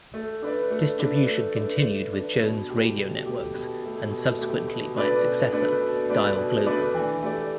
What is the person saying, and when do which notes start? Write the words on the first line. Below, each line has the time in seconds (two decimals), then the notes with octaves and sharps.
Distribution continued with Jones Radio Networks and subsequently by its successor, Dial Global.
0.14 A3
0.42 D4 B4 D5
0.71 A3
0.99 D4 B4 D5
1.27 A3
1.56 D4 B4 D5
1.84 A3
2.13 D4 B4 D5
2.41 B2
2.69 A3 G4
2.97 B2
3.26 A3 G4
3.55 B2
3.82 A3 G4
4.11 B2
4.39 A3 G4
4.68 B2
4.96 A3 D4 B4 D5
5.24 B2
5.52 A3 D4 B4 D5
5.81 B2
6.09 A3 D4 B4 D5
6.38 B2
6.66 A3 D4 B4 D5
6.94 E3
7.22 A3 G4 D5